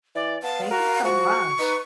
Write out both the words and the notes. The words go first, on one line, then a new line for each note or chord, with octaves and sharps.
thank you so much.
E3 D5
B3 F5 A5
F#4 A#4
F3 F#4 C#6
D#4 B4